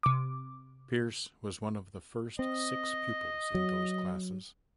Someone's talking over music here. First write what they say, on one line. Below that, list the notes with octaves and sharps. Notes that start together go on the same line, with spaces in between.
Pearse was one of the first six pupils in those classes.
C3 D6
C4 D#5
F#3